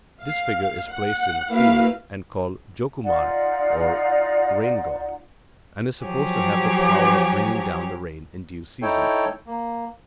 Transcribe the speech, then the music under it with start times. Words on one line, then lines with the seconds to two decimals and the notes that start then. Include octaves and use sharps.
This figure is placed in a field, and called Jokumara or rain-god, and is supposed to have the power of bringing down the rain in due season.
0.22 F5
0.91 F#5
1.51 A#3 E4 F#4 B4 F5
3.04 D#4 F4 D5 F#5
6.03 F3 F#3 G4 G#4 C#5
8.82 D#4 E4 A4 C#5 G5
9.47 A#3